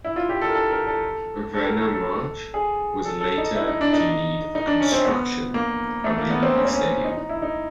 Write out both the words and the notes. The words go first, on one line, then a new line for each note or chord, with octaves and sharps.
Werner March was later to lead the construction of the Olympic Stadium.
E4
F4
G4
A4
A#4
A4
A#4
A4
A4
A#4
A4
A4
G#4
A4
A4
D#4
E4
D#4
D4
D#4
D#4
D4
C#4
C4
B3
A#3
A3
A#3
B3
C4
C#4
C4
C#4
D#4
D#4
E4
D#4